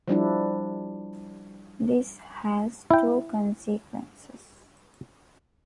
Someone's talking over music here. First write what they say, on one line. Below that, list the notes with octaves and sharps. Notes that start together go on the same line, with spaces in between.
This has two consequences.
F3 G3 D4 E4
E4 G5